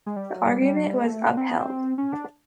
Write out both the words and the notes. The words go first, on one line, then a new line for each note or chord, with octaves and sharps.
The argument was upheld.
G#3
G3
F#3
G3
G3
F#3
G3
G#3
A3
A#3
C4
B3
C4
C#4
D4